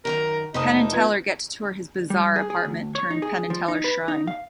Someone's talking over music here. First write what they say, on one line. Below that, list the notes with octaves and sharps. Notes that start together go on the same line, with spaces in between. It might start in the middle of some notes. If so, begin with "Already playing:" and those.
Penn and Teller get to tour his bizarre apartment turned Penn and Teller shrine.
F#2 D#3 A#4 A#5
F1 C3 A3 A#3 D#4 D#6 E7
F3 B3 G#6
G3
G#4
G#4
D2
C#5
D#4
G#4
F3
D#4
B4
D#4
F5